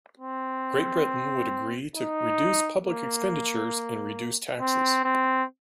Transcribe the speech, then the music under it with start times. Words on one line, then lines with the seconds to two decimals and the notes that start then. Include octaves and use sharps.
Great Britain would agree to reduce public expenditures and reduce taxes.
0.19 C4
1.96 D#4
2.83 A#3
4.60 C4
5.04 C4